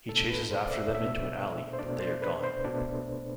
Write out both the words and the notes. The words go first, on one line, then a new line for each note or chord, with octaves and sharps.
He chases after them into an alley, but they are gone.
B2 A3 D4 A4
B4
C5
D5
E5
B2 A3 D4 E5
C5
B2 A3 D4 D5
C5
B4
C5
B2 A3 D4